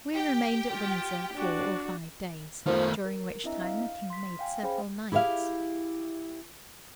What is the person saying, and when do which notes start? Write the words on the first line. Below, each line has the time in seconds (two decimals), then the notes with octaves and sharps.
We remained at Windsor four or five days, during which time the king made several knights.
0.14 G4 G5
0.72 F4
1.34 D4 F#4
2.67 D#3 F3 A3
3.05 A#4
3.44 C4 D4 E4 D#5 E5 A#5
3.61 F5
4.10 C6 B6
4.39 F5 G5 G#5
4.63 C#4 G#4 C5 F5 G5 B5
5.12 E4 G4 G#4 E5 F5